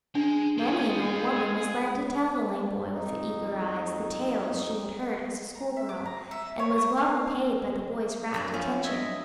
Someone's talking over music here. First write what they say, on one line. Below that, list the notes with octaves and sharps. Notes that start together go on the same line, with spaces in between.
Many an old woman was led to tell the lame boy with the eager eyes the tales she had heard as a schoolgirl, and was well repaid by the boy's rapt attention.
G#3 D4
G#3 F4 G#4 G5
F2 D#4
A#5
E5
D6
A#5
E5
C#5
A#4
F5
F#2 C4 D4
F3 A3 C#4 F4
B3 D#5 E5 G#6